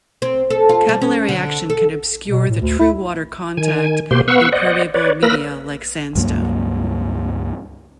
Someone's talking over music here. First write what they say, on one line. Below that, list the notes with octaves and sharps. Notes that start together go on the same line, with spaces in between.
Capillary action can obscure the true water contact in permeable media like sandstone.
C4
A4
F4
G3
C#4
D3
A4
B2
A2
D2
E4
D#3 G#5
B2 A#3 G4 C5 C6
B3 B4 F5 F#5 C#6 E6
C5 D5 D#5 F#5
B4 C#5 D5
A#3 A#4 B4 B5 E6 A#6
C#2 G2 F#3 A#3